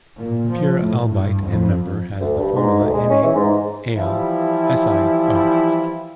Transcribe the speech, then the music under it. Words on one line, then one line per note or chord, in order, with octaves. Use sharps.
The pure albite endmember has the formula NaAlSiO.
A#2
F3
A2
G2
F2
D2
G2
G#2
D2
G#3
C#4
E3
G#2
E3 F3 G3 E4